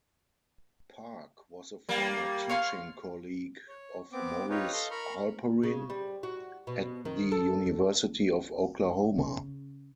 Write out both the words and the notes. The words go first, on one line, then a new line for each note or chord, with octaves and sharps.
Park was a former teaching colleague of Maurice Halperin at the University of Oklahoma.
G3 A#3
C#5 F5 C6
C#5
B3 C4 D6
D#4 F4 G4 B4 C#5
A4 D#5 F5 C6
A#4 A#5 B5 C#6
C#3
G3
F#4
B2
D#3
A4
C#3